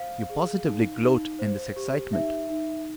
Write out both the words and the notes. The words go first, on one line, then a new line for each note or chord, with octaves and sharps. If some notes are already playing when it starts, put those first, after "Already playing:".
You positively gloat in this excitement.
Already playing: C5 F5
G#4
D#4
D#4
C5
G4
D#4 E5
D#4